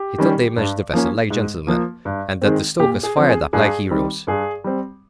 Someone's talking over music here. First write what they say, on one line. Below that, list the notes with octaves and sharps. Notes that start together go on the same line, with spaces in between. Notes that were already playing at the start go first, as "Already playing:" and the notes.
He thought they managed the vessel like gentlemen, and that the stokers fired up like heroes.
Already playing: G4
D#3 G3 C#4
G2
F3 A#3 C#4
G#2
F3 A#3
G2
D#3 G#3 C4
A#2 G4
G#4
F3 C4
G#4
G2 G#4
D#3 G3 C4
G2 G#4
G3 C4